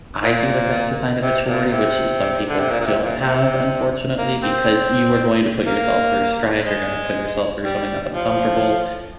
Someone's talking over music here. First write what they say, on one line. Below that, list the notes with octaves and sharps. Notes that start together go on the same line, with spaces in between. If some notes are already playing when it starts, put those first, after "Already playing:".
I feel like that's a sign of maturity, which just some people don't have unfortunately, because you are going to put yourself through strife, you're gonna put yourself through something that's uncomfortable,
A#2
C3
A#2
C3
D3
C3
A#2
A#2
C3
A#2
C3
A#3
C4
A#3
G#3
G3
F3